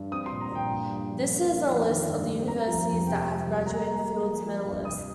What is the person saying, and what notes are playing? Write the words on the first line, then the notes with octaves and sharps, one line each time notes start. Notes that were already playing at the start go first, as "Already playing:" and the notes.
This is a list of the universities that have graduated Fields medalists.
Already playing: G2
C4 D#6
C6
A#2
A#5
A#2 G5
G2
G2
F3
A#3
A#3
F2
D#3
G2
A#3
C4 A#5
F3
F2
C3 G5
C4
G3
A#3 A#5
A#3
A#3
F3
F3
G2
C3 D#6